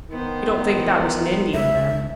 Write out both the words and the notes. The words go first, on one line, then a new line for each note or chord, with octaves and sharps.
"You don't think that was an Indian, then?"
D#3 B3 C5
E3
C#2 E5